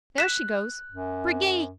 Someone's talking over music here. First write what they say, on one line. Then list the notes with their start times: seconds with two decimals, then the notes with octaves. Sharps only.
There she goes. Brigade!
0.18 F#6 B6 E7
0.92 F#2